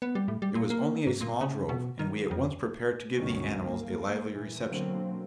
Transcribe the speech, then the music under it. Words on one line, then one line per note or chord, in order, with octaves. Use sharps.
It was only a small drove, and we at once prepared to give the animals a lively reception.
B3
G3
A2
G3
A#2
A#3
G#2
A#2
C#3
B2
D#3
F2
G1 C#2 G2 B2 D#3 C#4
A#3
A#2 E3
B2 D3 F#3 A#3 C4